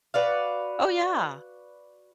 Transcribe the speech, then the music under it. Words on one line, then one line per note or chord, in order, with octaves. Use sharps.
Oh yeah.
F#4 B4 D5 F5